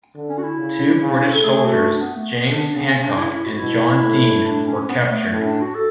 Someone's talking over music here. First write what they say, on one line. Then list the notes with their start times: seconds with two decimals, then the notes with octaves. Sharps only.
Two British soldiers, James Hancock and John Dean were captured.
0.15 D3
0.29 C#4
0.38 F#4
0.43 E4
0.58 C#3
1.01 C#3
1.31 A4
1.43 A3 G#4
1.65 F#4
1.87 D4
2.01 B3
2.16 A3
2.31 B3
2.52 D4
2.73 C#3 B3
2.89 C#4
3.03 D4
3.17 E4
3.30 E4
3.45 F#4
3.59 B2 E4
4.02 A2
4.45 D4
4.67 C#4
4.89 B3
5.10 A3
5.31 A2
5.41 C#4
5.46 D4
5.61 F#4
5.75 A4